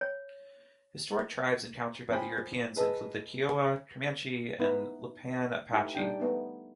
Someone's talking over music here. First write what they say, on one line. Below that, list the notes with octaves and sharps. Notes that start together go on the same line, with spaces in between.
Historic tribes encountered by Europeans included the Kiowa, Comanche, and Lipan Apache.
C#5
F3 C5 G5 G#5 B5
G#4 B4 D#5 A5 D#6 E6
B3 D#4 E4 B4
A3 D#4 E4 G4 G#5
G3 D4 D#4 G5
A3 B3 D#4